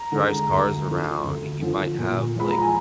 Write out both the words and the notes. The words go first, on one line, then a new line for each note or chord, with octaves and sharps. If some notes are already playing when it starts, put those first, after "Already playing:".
drives cars around, he might have, like,
Already playing: A#5
D3 G#3
D2
D3 F3
D2
D3 F3
A#2
F3 G#3 B5
A#5
G#5